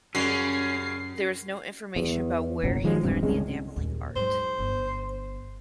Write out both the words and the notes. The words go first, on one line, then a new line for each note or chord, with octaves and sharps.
There is no information about where he learned the enameling art.
F#2 C#3 G3 C#4 F#4 C7
E2
F#1 B1 F#2 F#3
D#3 F3 G#3
E1 G2 C3
C2 C#3 G#3
D#2 A#2
G#2 F#3 C5
G1